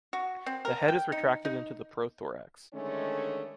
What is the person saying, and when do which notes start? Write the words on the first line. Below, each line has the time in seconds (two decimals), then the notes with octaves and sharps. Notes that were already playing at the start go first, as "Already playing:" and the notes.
The head is retracted into the prothorax.
0.13 F#4
0.46 C4
0.65 A#4
0.88 G5
1.12 D#4
1.45 D#4
2.74 D3 D#3 G#3 A3 C#4